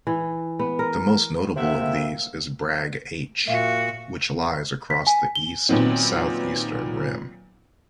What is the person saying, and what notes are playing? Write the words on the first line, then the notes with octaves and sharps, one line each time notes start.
The most notable of these is Bragg H, which lies across the east-southeastern rim.
E3
B3
A#4
D2 C3 A#3 E4 C5 E5 F#5
A#2 F#4 E5 F5
B6
G#5
G7
A#2 D#3 F#3 B3 C4